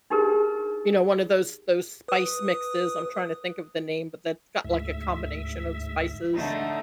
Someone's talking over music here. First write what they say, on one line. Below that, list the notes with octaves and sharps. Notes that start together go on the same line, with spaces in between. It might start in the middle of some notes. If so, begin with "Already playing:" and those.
you know, one of those those spice mixes. I'm trying to think of the name, but that's got, like, a combination of spices,
D4 D#4 G4 G#4 A#4 B4
B4 D#6
D2 G#2 E5
D3 A3 D#4